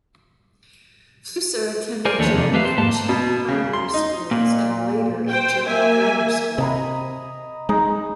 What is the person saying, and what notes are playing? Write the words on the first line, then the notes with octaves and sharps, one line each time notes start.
Flusser attended German and Czech primary schools and later a German grammar school.
A#4 C5 D5 G#5
D#2 F3 A3 D4 G4 C#5
F2 C3 D#3
A3 G4 B4 E5 F5
C5
G#2 A#3 A5
B2
C#3
C6
D#4
A#2
C5 G5
A#3 E5 G#5
C3 D#5 A#5 B5
G#3 D#4